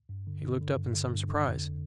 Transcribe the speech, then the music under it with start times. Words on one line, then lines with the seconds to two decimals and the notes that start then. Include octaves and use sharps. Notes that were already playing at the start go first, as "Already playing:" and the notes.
He looked up in some surprise.
0.09 G2
0.27 D3
0.44 D3
0.61 D3
0.77 G2
0.95 D3
1.12 G2
1.29 D3
1.46 F2